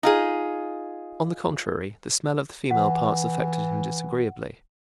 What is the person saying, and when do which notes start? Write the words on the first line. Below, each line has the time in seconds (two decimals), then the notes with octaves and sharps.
On the contrary, the smell of the female parts affected him disagreeably.
0.03 D#4 F4 G#4
2.71 E3 F#5